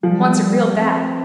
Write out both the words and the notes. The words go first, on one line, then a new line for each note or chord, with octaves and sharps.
Wants it real bad.
F3 G3
C4